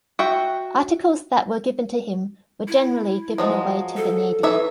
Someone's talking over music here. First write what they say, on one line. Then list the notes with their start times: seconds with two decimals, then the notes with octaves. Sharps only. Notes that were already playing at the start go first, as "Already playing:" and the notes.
Articles that were given to him were generally given away to the needy.
0.19 F#4 E5 G5
2.68 E4
3.38 F3 F#3 G#3
3.97 A4
4.43 E3 C#5 E5